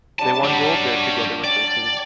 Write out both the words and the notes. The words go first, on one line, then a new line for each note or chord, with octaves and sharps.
They won gold there together with their team.
F#3 G3 D4 A5
F#3 G3 D4
D5 G5